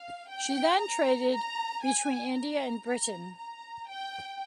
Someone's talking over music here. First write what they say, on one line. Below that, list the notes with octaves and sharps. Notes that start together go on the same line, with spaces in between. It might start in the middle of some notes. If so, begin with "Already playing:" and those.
She then traded between India and Britain.
Already playing: F5
G5
A#5
A#5
G#5
A#5
A#5
A#5
G5